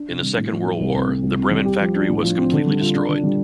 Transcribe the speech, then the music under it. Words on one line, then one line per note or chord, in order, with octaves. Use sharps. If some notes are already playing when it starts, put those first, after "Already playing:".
In the Second World War, the Bremen factory was completely destroyed.
Already playing: D4
C3
G3
A2
F3
A3
C2
C3
A3
C2
C3
G3
G4
F3
D4
A2
F3
C4
D3
G3
F4
D4
D3
G3